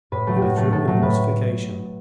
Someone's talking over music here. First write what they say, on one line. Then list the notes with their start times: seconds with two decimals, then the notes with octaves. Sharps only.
He withdrew in mortification.
0.12 A2 B4
0.27 F#3 A3
0.36 G4
0.42 A2 F#4
0.57 F#3 A3
0.72 A2 A4
0.87 F#3 A3
1.02 A2 B4